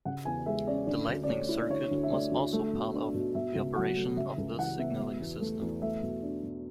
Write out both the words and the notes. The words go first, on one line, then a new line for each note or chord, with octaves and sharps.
The lighting circuit was also part of the operation of the signalling system.
C#3 F#5
E2 G#5
G#3 E5
C#4 D5
D3 D5
D2
D5
A3 C#5
E4
D5
D3 C#5
D2
E5
A3 D5
D2
A3
B2
D4
B2
B2 E5
C#2
F#3 F#5
A3
C#3 E5
C#2
E3 F#5
B3 E5
B2
E2
A3
E2
A3 E5
B2
D4
B2